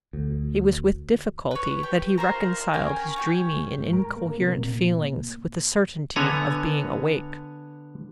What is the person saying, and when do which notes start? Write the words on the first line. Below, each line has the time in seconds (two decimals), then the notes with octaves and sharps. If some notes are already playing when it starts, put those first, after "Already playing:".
It was with difficulty that he reconciled his dreamy and incoherent feelings with the certainty of being awake.
0.13 D2
1.51 B4 C#5
1.83 G4
2.18 F4 A#4 C5 A#5
2.73 C#4 A#4 G5 G#5
3.16 C#4 F4 G4
3.78 G#2
3.93 A#4
4.16 A#3
4.40 C3
4.58 A#2
6.16 D3 B3 C#5 G#5 A#5